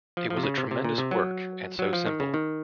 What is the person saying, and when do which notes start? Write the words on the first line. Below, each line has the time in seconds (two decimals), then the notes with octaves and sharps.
It was a tremendous work - and so simple.
0.17 F3
0.30 F3
0.37 C3
0.43 C#3
0.58 C3
0.71 C3
0.84 A#2
0.98 C3
1.11 F#3
1.79 F#3
1.93 F3
2.06 D#3
2.20 C#3
2.34 D#3